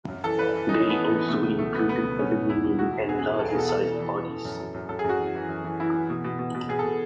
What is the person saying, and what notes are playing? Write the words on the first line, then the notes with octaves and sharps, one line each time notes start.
They also included aluminium and larger sized bodies.
F#2
E3 A4
E3 B4
E3
E3 D#4
C#4
E3
B3
E3
E3
B3
B2 A3
C#2
B2 A3
B2 B3
B2 B3
C#2
B2 C#4
C#2
E2 E4
B2
B2 F#4
E2
B2 G#4
G#4
B2
B4
E2 A4
G#4
B2 A4
E3 A4
E3
E3
E3
E3
F#2
F#2
F#2
F#2 A4
G#4
F#2 F#4
E3
E3
F#2
E3
E3 E4
E3
B2
B2
B2
B2
B2 G#4
A4
B2